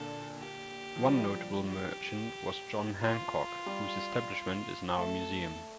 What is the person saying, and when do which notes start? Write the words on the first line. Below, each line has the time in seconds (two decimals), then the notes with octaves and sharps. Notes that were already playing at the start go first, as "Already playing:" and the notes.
One notable merchant was John Hancock, whose establishment is now a museum.
Already playing: A#2 D3 A4
0.39 G4
0.96 F3
1.05 G3
1.70 G4
3.01 F4
3.66 G3
4.97 A3 A4